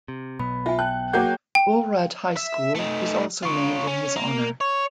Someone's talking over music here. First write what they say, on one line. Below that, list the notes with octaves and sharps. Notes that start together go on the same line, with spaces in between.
Bolhrad High School is also named in his honor.
C3
B1 B2 B3 B5
F4 E5 G#5
G5 A5 F#6
F#3 A#3 G#4 C#5 F#5 G5 D6 G6
G5
E5
A3 D#4
F4 C#5
C#4
A#3
C#5